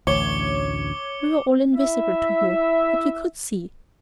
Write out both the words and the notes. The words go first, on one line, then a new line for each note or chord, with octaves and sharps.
We were all invisible to you; but we could see.
A1 D2 C#5 D6 C#7 G7
E4 E5